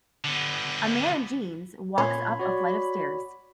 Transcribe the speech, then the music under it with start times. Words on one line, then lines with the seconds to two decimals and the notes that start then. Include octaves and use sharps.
A man in jeans walks up a flight of stairs.
0.24 D3 B3
1.98 A#2 C#4 B5 C6 G#6
2.40 F#4 C#5 D5